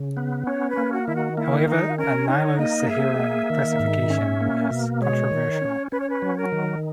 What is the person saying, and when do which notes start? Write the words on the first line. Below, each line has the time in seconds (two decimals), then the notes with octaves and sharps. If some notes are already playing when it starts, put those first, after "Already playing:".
However, a Nilo-Saharan classification is controversial.
Already playing: C#3
0.17 B3
0.47 C#4 C#5
0.70 B4
0.77 A#3
0.92 F#4
1.07 D#3 E4
1.16 F#4
1.38 A#3 E4
1.68 D#3 D#4
1.99 C#4 A#4
2.28 D#4 C#5
2.59 A#3 D#5
2.89 G#4 E5
3.20 A#3
3.50 D#3
3.80 G#2
4.10 C#4
4.41 A#3
4.71 B2
5.01 G#3 C#5
5.31 D#3
5.62 C#4
5.92 C#4 B4
6.00 C#5
6.10 B4
6.22 F#3
6.37 A#4
6.52 D#3